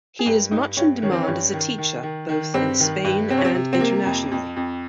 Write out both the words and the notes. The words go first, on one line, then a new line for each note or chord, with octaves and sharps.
He is much in demand as a teacher, both in Spain and internationally.
G#4
G2 A#4
G2 D#4
G2 C#4
D#3 C#4
C4
C#4
G2
D#3
D#3
D#3
D#3
G2 C4
D#3
G2
C3 C4
C#4
C4
C3
C4
C3 A#3
F2
F2
F2